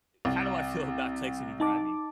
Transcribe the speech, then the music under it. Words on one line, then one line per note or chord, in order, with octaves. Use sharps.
how do I feel about texting and driving?
C2
D#4 A5 D6